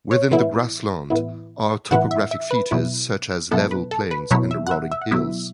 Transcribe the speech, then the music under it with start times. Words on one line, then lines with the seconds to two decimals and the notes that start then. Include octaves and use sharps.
Within the grassland are topographic features such as level plains and rolling hills.
0.11 C#5
0.31 A2 E3 B3 E4
1.10 A2 E3 B3 E4
1.91 A2 E3 B3 E4 F#5
2.11 E5
2.31 E5
2.51 B4
2.71 B2 F#3 B3 E4
3.51 B2 F#3 B3 E4 A4
3.71 B4
3.91 A4
4.11 B4
4.31 B2 F#3 B3 E4 C#5
4.51 E5
4.67 F#5
4.71 E5
4.92 E5
5.01 F#5
5.11 B2 F#3 B3 E4 E5